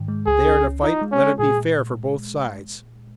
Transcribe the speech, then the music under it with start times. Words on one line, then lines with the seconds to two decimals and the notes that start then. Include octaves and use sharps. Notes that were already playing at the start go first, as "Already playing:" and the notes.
If they are to fight, let it be fair for both sides.
Already playing: G#2 D#3
0.08 G#3
0.26 C#2 G#4
0.46 C#4
0.64 C#4
0.83 D#4 F4
1.02 G#3
1.12 C#4
1.20 G#3
1.39 A#2 G#4
1.58 A#2